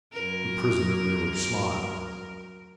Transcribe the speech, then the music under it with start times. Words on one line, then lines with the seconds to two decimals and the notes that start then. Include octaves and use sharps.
The prisoner merely smiled.
0.13 F#2 A#4